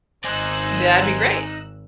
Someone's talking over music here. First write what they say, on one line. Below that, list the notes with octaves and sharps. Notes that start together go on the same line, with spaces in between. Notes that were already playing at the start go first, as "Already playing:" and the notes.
That'd be great.
G#1 D#4 C5 D5 G#5 E6 F#6